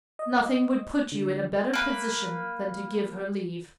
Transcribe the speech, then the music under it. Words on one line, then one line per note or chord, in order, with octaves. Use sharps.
"Nothing would put you in a better position than to give her leave."
D#5
D3
A#3 B4